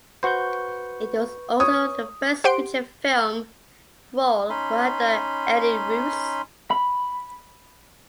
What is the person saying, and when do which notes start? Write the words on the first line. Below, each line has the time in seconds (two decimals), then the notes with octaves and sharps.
It was also the first feature film role for actor Eddie Rouse.
0.23 F#4 B4 C5 C#6 G6
1.60 C#5 D#6
2.44 G4 C5 F#5 C6 D7
4.50 C#4 D#4 B5 C6
6.71 B5